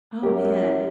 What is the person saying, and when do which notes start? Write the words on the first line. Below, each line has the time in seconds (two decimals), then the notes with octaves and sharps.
Oh, man.
0.23 F#2 G4 A#4